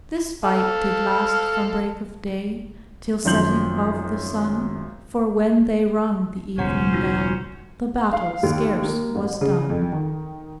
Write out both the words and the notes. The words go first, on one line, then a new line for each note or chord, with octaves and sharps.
This fight did last from breake of day Till setting of the sun; For when they rung the evening bell, The battel scarce was done.
A4 F5
G#1 F#2 F3 C6 G6 F#7
E1 C#2 C#4 C5 C#5 F#5 A#5
D#4 F4 F#4
F5
D#2
A#3
A1
C#3
F2
D#3